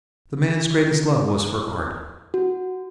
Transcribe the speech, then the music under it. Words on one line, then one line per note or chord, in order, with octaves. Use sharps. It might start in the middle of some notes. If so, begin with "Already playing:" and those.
The man's greatest love was for art.
F#4